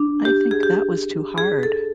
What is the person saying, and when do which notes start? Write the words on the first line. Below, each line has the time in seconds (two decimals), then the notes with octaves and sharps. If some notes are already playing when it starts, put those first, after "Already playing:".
I think that was too hard.
Already playing: D4
0.25 G4
0.51 G#4
0.63 G4
1.38 G#4
1.63 A4